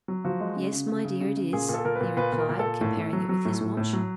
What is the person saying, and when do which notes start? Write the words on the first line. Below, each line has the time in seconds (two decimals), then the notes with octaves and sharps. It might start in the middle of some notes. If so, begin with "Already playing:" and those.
"Yes, my dear, it is," he replied, comparing it with his watch.
0.08 F#3
0.25 F3 F#4
0.40 G#3
0.56 C#3
0.72 C#3
0.88 C#3
1.05 C#3
1.21 C#3
1.37 C#3
1.53 A#2 G#4
1.69 A#2 A4
1.85 A#2 A#4
1.95 B4
2.01 A#2
2.17 A#2 B4
2.32 A#2
2.38 A#4
2.49 A#2
2.59 A4
2.65 A#2
2.81 A2
2.97 A2
3.13 F#3
3.29 F#3
3.45 A2
3.61 A2
3.77 A2
3.93 F#3